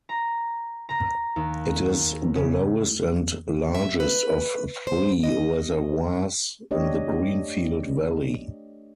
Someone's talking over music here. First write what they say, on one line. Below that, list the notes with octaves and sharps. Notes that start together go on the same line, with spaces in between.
It is the lowest and largest of three reservoirs in the Greenfield Valley.
A#5
A#5
D#2
C#3
E5
B4
C5
D#5
A3 D4 G4 C#5 D#5